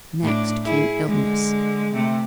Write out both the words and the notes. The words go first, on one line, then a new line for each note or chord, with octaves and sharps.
Next came illness.
A2 D4
E4 G#4
D3 G#3
C3 A3